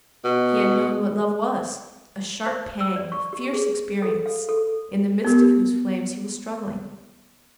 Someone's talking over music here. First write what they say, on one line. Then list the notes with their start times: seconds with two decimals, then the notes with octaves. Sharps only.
He had known what love was--a sharp pang, a fierce experience, in the midst of whose flames he was struggling!
0.25 B2
2.46 C5
2.81 E6
2.96 D5
3.12 C#6
3.33 G4
3.53 G#4
4.02 A4
4.26 F5
4.49 A4
5.25 B3 G4 A#4